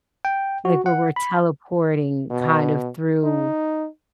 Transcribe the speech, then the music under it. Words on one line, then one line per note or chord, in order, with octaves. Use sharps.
Like, where we're teleporting kind of through
G5
F#4
F#5
B5
B2
D#4